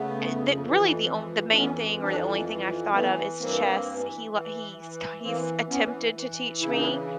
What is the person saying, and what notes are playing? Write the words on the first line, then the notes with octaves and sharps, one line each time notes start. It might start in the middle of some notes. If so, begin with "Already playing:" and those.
eh, that really the onl the main thing or the only thing I've thought of is chess. He li he's ki he's attempted to teach me
Already playing: C#3 A3 B3
F2
E3
F2
D4
E3 B3 C#4
F2 C4 D4
E3
E3 A3 B3
G2 A#3 C4
E3
E3
E3
E3 A#3 C4
E3 B3 C#4
E3
C#3 E4
D#4
D4 E4